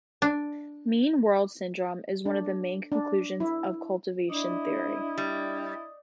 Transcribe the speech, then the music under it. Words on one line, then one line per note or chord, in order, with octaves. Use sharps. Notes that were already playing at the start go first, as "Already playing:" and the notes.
Mean world syndrome is one of the main conclusions of cultivation theory.
D4
D4
D4
E4
D4 E4 D5 D#5
G3